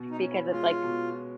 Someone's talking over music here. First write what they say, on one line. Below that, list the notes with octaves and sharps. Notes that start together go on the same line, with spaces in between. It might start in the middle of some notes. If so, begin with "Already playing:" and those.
because it's, like,
Already playing: B2
D#4
C#4
E4
G#3 F4
B2